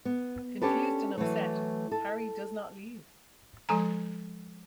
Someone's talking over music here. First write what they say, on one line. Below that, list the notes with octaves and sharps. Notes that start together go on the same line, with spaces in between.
Confused and upset, Harry does not leave.
B3
C#4 D4 G4 A4 B4
E3 F#3 A3
A4
F3 G#3 A4 G#5 A#5